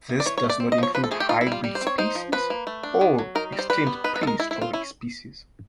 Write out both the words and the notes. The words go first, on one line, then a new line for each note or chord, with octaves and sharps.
This does not include hybrid species or extinct prehistoric species.
E3
D5
E3 C#5
C#5
A3
D5
C4
D#5
F3 C#5
F3 B4
A4
A3 G#4
G4
D#4 F4
E4
G3
F4
G3
C5
C4
C#5
D#4 C5
F3
F3 B4
A#3
A3
D4
D#3
F#3
D#4 A#4
G3
C5
G3 B4
B3
D#4 B4
B4
G#3 A4
A#4
G#3 E4
E4
C4
F4
C#4 E4